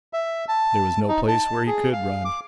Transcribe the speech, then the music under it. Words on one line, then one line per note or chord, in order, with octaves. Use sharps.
There was no place where he could run.
E5
A5
D#4
A5
G#4
F5
D6